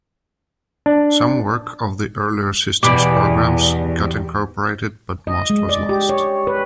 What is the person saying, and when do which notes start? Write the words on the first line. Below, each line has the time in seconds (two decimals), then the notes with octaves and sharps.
Some work of the earlier systems programs got incorporated but most was lost.
0.86 D4
2.83 E2 B2 E3 G4 B4 D5
5.27 D#5
5.50 G#3
5.69 D5
5.89 G4
6.09 C#5
6.47 B4